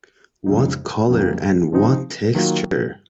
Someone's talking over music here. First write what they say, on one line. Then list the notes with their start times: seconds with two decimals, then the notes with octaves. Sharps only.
What colour, and what texture!
0.46 F2 C#3 G#3 D#4
1.09 F2 C#3 F#3 A#3
1.72 C#3 F3 C4 D#4
2.35 D#3 F#3 A#3 F4